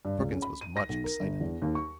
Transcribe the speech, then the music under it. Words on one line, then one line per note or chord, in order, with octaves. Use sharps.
Perkins was much excited.
G2
C#2
C#4
B5
D#7
A#6
B1
A#4
G1
E2
D#2
C#6